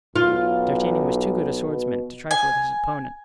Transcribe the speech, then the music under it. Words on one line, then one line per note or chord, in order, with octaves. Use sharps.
D'Artagnan was too good a swordsman to trifle with his opponent.
B1 F4
B2
G#5